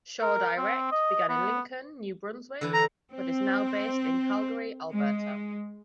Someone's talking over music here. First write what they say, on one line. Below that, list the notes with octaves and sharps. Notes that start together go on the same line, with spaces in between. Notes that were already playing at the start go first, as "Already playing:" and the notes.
Shaw Direct began in Lincoln, New Brunswick, but is now based in Calgary, Alberta.
A#4
C4
D#5
B3
D3 E3 E4
A#5
C4
G#3